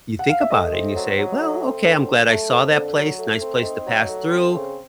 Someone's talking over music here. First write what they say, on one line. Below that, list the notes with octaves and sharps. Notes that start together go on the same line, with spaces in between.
you think about it, and you say, "Well, okay, I'm glad I saw that place, nice place to pass through,
F#5
F5
E5
A3 D#5
C4
F#3
F#3
A3
C4
D3
F#3
A3
F2
D3
F#3
A3
C4
D#4
F#3
A3
C4
C#3